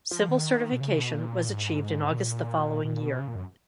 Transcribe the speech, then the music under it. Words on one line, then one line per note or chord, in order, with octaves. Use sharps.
Civil certification was achieved in August the following year.
F3
D#3
B2
C#3
B2
A#2
G#2
B2
A#2
A#2
B2
C#3
A#2
F#2